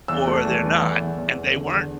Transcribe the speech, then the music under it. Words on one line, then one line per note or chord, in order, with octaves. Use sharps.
or they're not and they weren't.
E2 E6
A3
E2
E3
E2
E2
E2
E2
D3
D3